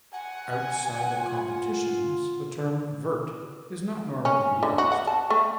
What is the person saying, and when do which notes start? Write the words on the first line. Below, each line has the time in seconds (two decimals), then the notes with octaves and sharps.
Outside of competitions, the term "vert" is not normally used.
0.13 F#5 G#5
1.18 F4
4.25 C#4
4.63 D3
4.78 F#4
4.92 F#5
5.07 A5
5.30 A3